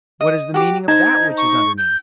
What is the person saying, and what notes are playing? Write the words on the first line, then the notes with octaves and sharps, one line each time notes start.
What is the meaning of that which is underneath?
D#5
F#4 G4 D6
D#4 C5 A5 G#6
C#6
G6